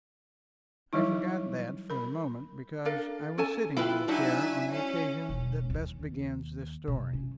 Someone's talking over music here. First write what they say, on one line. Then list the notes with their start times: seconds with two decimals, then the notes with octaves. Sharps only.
I forgot that for the moment because I was sitting on the chair on the occasion that best begins this story.
0.93 E3 F#3 G3 D#4 E4
1.90 A#4 B5
2.85 D4 A4 A#4 F5
3.38 C#4 A4 G#5 A5
3.77 E4 F4 B4 G5
4.08 F#3 D4 D#4 E5 G#5
4.71 C#4
5.29 E1
5.70 D#2
6.88 C3
7.13 C#4